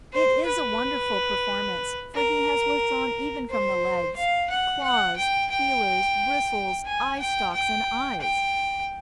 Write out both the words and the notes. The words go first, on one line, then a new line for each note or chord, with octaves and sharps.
It is a wonderful performance, for he has withdrawn even from the legs, claws, feelers, bristles, eye-stalks and eyes!
C5
B4
A#4
C5
F5
F#5
F#5
G5
G5
G#5
G5
G5
G5